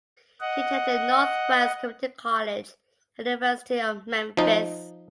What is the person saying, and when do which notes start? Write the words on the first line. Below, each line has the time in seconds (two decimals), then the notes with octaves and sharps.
He attended Northwest Community College and the University of Memphis.
0.40 D#5 F#5
4.37 F3 D#4